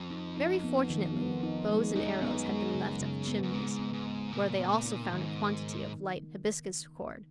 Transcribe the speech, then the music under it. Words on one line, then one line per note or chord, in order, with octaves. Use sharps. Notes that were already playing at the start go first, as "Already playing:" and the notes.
Very fortunately bows and arrows had been left at the Chimneys, where they also found a quantity of light hibiscus cord.
Already playing: F2
D#4
D#4
B3
D#3
B3
D#4
G#3
F#2 D#4
B3
G#3
C#3
C#3
B3
F#2
G#2 G#3
B3
G#2
B3
A#2 C#3
B3
D#4
G#2 D#3